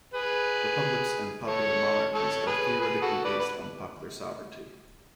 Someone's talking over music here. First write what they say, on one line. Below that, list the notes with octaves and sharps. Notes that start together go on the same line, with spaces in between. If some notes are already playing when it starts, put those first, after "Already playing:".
Republics and popular monarchies are theoretically based on popular sovereignty.
G#4 B4
A4 C#5
A4 C#5
G#4 B4
G#4 B4
F#4 A4
B4 D5
B4